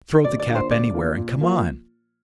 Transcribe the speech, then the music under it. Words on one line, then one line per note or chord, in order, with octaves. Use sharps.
"Throw the cap anywhere and come on!"
D2 D5
D5
D3 A#3 D4 F4
C5
D2 D5
D3 A#3 D4 F4
A#2
F3 A#3 F4